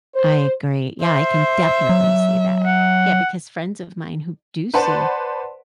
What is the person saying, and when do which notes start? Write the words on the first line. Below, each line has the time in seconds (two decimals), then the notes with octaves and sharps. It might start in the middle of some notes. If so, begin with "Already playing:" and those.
I agree. Yeah, I can definitely see that. Yeah, because friends of mine who do see
0.14 C5
1.02 C5 E5
1.89 F#3
2.65 F#5
4.74 B4 C5 D5 F#5 A5